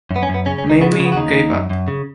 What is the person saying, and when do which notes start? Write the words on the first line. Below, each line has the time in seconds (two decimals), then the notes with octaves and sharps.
Mamie gave up.
0.11 F#2
0.16 B3
0.23 C#4
0.29 F#2
0.34 B3
0.46 C#3 C#4
0.58 C#4
0.64 C#2
0.70 D#4
0.81 C#3 B3
0.93 G#3
1.00 C#3
1.05 B3
1.12 F#4
1.17 D#2 D#4
1.35 D#2
1.53 F#2
1.70 F#2
1.88 C#3